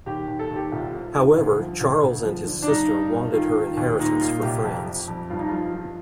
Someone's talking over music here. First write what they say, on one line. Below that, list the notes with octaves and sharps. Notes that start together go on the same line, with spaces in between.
However, Charles and his sister wanted her inheritance for France.
D#2 G4
D#2
A4
D#2
G4
C2 F4
C3
D#3
D2
F3
D2
D2
F3
D3
D4
G2 D#4
G2
G2
D#3 F4
D#3
D#2
A#2 D#4
A#2 F4
C2 G4
F2
F2
F2
G2 F4
D#4
F3 F4
F3